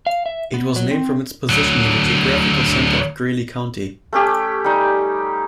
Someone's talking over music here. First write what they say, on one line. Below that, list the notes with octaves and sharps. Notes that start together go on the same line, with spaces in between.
It was named from its position near the geographical center of Greeley county.
F5
E5
B3
F#3
C4
D2 F#3
A3 C#4 G4
G3 D#4